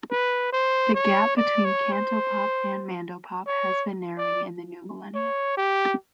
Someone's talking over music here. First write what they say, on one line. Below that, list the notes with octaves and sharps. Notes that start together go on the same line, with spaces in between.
The gap between cantopop and mandopop has been narrowing in the new millennium.
B4
C5
C#5
D5
C#5
C5
C#5
D5
C#5
G4